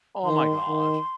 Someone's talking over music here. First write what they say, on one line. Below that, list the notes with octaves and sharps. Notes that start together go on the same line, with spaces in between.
Oh my gosh.
D#3 C6
D#3